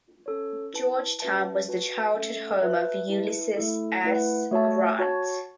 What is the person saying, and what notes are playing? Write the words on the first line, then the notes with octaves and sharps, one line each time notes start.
Georgetown was the childhood home of Ulysses S. Grant.
C#4 A4 C#5
E4 B4 A5
C#4 F#4 B4 E5 A5
F#4 B4 A5
A3 C#4 A4 E5
F#4 B4 E5 A5
E4 B4 E5 A5
A3 E4 A4
A3 E4 B4 F#5
A3 F#4 C#5 E5 A5
F#4 C#5 A5